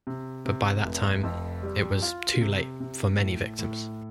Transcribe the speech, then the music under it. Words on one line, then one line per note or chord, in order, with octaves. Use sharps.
But by that time, it was too late for many victims.
C3
C3
F1
F2
G3
F4
C3
C3
A2
A2